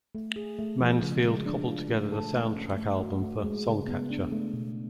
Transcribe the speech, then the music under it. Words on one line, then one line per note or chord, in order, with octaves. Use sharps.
Mansfield cobbled together the soundtrack album for "Songcatcher".
A3
G#4
A3
F3
C#3
G#3
D4
F4
A3
A4
A3
C#4
A3
F#4
A3
G#3
C#3
B3
D4
A3
B2